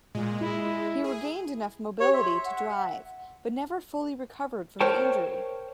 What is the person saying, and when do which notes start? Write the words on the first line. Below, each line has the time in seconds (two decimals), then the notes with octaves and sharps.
He regained enough mobility to drive but never fully recovered from the injury.
0.15 A#2 G#3
0.41 E4
1.04 G#4
2.00 G4 C#5
2.13 E5 C6
2.45 F#5
4.81 A#4 C5 C#5 G5 A5